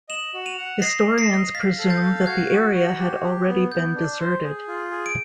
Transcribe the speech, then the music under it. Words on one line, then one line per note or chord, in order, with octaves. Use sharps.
Historians presume that the area had already been deserted.
D#5 E7 F#7
F#4
D#7 F7
F#5
D#5 A#6 C7
D#5
A#6 C7
D#5
F5 A6 B6
A4
G6 A6
F5
F#4 F#6 G#6
F#4
F#4
G4
G4
B3
B3 G6
D4
C5
G#4
F4
G#4
D7